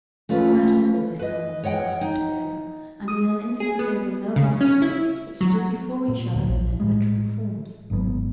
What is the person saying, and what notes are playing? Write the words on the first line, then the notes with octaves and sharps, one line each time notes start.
"Matabor!" they solemnly cried, together; and in an instant they were no longer storks, but stood before each other in their natural forms.
A3 C#4 F4 B4
B4 D#5
C#5 D#5 F#5 G5
D#4
D#6
G#4
B3
C#3
C#4
E4
F#3
A#2
D1 D2 A#2
A#1
A2 G3 G#3
G#1 G#2 F#3 B3